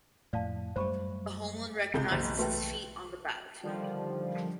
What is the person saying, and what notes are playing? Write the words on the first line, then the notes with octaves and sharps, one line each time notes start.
The Homeland recognizes his feat on the battlefield.
F2 A2 D5 F5 A5
F#2 G3 A3 C5 B5 C#6
G1 C#2 C3 C4 G#4 G6
F#1 B1 E3
A3 F#4 B4 G5
D3 D#3 F3 G3